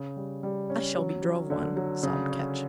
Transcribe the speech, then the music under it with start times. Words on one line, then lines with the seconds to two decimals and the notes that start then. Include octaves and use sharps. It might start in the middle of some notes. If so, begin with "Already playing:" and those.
"I shall be drove one," sobbed Ketch.
Already playing: C#3
0.17 G3
0.43 G3
0.70 C#4
0.97 F#3
1.23 F#3
1.50 D3
1.77 F#3
2.03 C#3
2.30 C#4